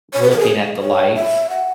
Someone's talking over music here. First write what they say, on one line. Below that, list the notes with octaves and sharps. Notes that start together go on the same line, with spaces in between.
looking at the lights
C#5
B4
A#4
G#4
C#5
E5
F#5